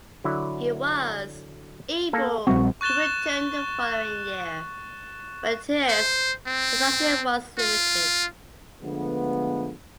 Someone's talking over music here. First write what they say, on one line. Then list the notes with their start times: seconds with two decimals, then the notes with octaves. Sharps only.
He was able to return the following year, but his production was limited.
0.24 D3 F#3 E4
2.13 A#3 A4
2.47 A#1 G3 C4 F#4
2.81 C#6 F#6 A6 E7 G7
5.88 C5
6.47 C4
7.58 F4
8.82 D3 F3 G#3 A3 B3